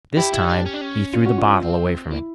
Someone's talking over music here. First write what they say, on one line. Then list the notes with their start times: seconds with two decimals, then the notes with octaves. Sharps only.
This time he threw the bottle away from it.
0.17 E4 G4
0.32 E4
0.44 C#4
0.49 D4
0.65 C#4
0.74 D4
0.81 C#4
1.13 F4
1.26 F#4
1.38 F4
1.62 C4
2.10 A#3 E4